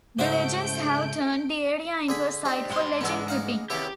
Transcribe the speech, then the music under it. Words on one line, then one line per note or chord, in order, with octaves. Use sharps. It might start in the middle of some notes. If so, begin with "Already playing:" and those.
The legends have turned the area into a site for legend tripping.
G#2 C#3 A3 E4 F#4 C5 G6 D7
D3 G#4 B5
C4 D4 D#4 G4
G#2 B2 G3 C6
C#3 E3 G#3 B3 A4
D#4 F5 F#5
C3 D#3 B3 E4 G4 C6